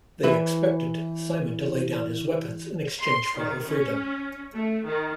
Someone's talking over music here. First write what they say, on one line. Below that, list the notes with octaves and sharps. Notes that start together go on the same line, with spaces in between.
They expected Simon to lay down his weapons in exchange for her freedom.
E3 E4 B4
C6
D#3
C#4
A3
D#3